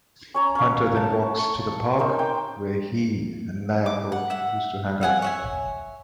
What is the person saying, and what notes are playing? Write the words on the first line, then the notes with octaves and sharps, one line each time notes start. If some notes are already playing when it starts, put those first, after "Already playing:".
Hunter then walks to the park where he and Nayako used to hang out.
C#4 C#5 A#5
C#4 F5
A5
C#6
C#4 D#4 A#4 C5
G5 D6
D6
F#5
E5 F#5
F5 F#5 G#5
C#5 E5 G#5